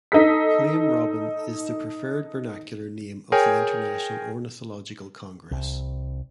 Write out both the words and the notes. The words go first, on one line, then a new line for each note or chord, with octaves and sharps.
"Flame Robin" is the preferred vernacular name of the International Ornithological Congress.
D#4 A4 B6
G#4 A#4 C#5 G5 G#5
C2